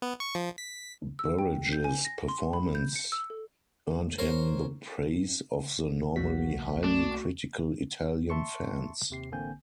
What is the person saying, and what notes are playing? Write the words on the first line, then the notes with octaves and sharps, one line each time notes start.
Burridge's performance earned him the praise of the normally highly-critical Italian fans.
B3
C#6
F3
B6
E6
G5
G6
G#5
A#6
C6
B5
G6
C#7
E6
A4
A#4 C5 C#5
B1 A#3 F#4 B6
A3 D4
E5 A5 C6 C#6 C#7
D#2 C3 C7
A1 D3 A#3 C4 G#5 G6